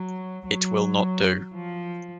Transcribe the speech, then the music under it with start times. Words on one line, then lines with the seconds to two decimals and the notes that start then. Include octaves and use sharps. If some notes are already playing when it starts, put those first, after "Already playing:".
It will not do.
Already playing: F#3
0.46 F#3
1.54 F3